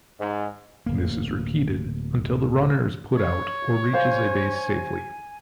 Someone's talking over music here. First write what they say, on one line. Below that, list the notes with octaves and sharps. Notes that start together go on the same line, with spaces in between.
This is repeated until the runner is put out or reaches a base safely.
G#2
D1 A#3
C#5
C5 F5 G#5